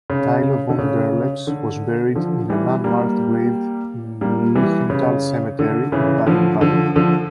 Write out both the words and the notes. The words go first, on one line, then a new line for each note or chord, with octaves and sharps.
Tilo von Berlepsch was buried in an unmarked grave in Lichtental cemetery, in Baden-Baden.
C#3
D3
C#3
D3
D3 F3
E3 G3
G3 A#3
G3 A#3
E3 G3
C#3
D3
C#3 E3
D3 F3
D3 F3
D3 F3